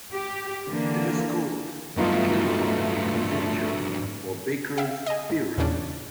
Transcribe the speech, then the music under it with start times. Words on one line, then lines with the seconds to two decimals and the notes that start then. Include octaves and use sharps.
It is called the Gelfond conjecture or Baker's theorem.
0.13 G4
0.68 D3 E3 A#3
1.97 G2 F#3 A3 B3 D#4 F4
4.77 E5 F5 G5
5.06 D#5 G#5
5.30 G#2
5.58 E2 A#2 C#3 C#4 D4